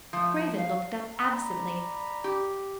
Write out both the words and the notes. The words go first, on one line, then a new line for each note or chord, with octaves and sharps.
Craven looked up absently.
F3 A3
F5
D5 A#5 B5
G4